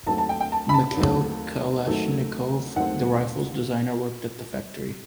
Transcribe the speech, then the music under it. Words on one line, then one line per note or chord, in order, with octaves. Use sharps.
Mikhail Kalashnikov, the rifle's designer, worked at the factory.
D#2 D#3 F#3 A3 C4 A5
A5
G5
G5
A5
B5
A5
D#2 D#3 F#3 A3 C4
D#2 D#3 F#3 A3 C4
D#2 D#3 F#3 A3 C4 F#5